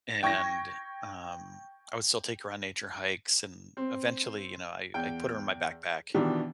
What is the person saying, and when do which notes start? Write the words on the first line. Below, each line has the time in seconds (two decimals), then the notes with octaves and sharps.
and, um, I would still take her on nature hikes, and eventually, you know, I I put her in my backpack
0.23 G5 C#6 G#6 A#6
3.77 C4
4.94 E2 G5
6.14 B2 D#3 E3 D4 G4